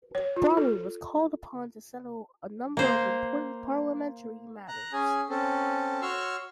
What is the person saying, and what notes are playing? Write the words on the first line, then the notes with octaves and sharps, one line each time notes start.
Bromley was called upon to settle a number of important parliamentary matters.
C#5
F4
A4
A#3 C5
A#5 F#6
C#4 G#4 G#5
C4 C#4 A4
F#4 C#5 C6 C#6 E6 F6